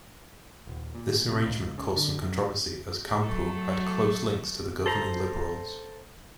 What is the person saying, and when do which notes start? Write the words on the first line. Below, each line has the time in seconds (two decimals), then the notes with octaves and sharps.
This arrangement caused some controversy as Campeau had close links to the governing Liberals.
0.67 D#1
0.95 A#2
1.32 C3
1.46 C#2
1.78 C#3
1.96 D3
2.22 F#2
3.20 F#3 A3 A4
4.86 A4 C5 A#5